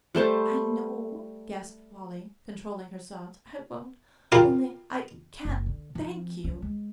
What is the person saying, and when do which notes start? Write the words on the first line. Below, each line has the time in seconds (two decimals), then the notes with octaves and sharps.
"I know," gasped Polly, controlling her sobs; "I won't--only--I can't thank you!"
0.15 G3 A3 C5 A5
4.32 E4 F4 G4 A#4 G5 C6
5.45 F#1
5.66 D3
5.95 F3 C4
6.44 F#3 C#4
6.62 G#3